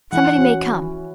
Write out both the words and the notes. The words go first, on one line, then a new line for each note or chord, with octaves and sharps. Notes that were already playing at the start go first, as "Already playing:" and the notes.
Somebody may come.
E3 F#5
C#4 F#4